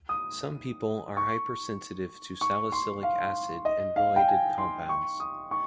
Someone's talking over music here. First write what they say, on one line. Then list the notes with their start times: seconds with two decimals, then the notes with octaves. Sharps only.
Some people are hypersensitive to salicylic acid and related compounds.
0.09 D#6
1.17 C#6
2.41 C#6
2.72 C6
3.03 F5
3.65 D#5
3.96 F5
4.16 G5
4.28 G#5
4.58 C6
4.89 C#6
5.20 D#6
5.51 C#6